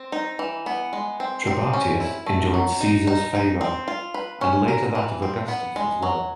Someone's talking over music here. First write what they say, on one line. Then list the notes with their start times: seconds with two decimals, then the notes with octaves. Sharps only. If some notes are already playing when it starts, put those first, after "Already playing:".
Trebatius enjoyed Caesar's favor, and later that of Augustus as well.
Already playing: C4
0.12 D#4
0.39 E3
0.66 B3
0.93 G#3
1.20 C4
1.47 C4
1.73 C#4
2.00 E4
2.26 A3
2.54 F#3
2.81 D#4
3.07 D#4
3.35 D#4
3.61 C4
3.88 F4
4.14 B4
4.41 C#4
4.68 A#4
4.95 E3
5.22 C4
5.48 B3
5.76 G#3
6.03 F#3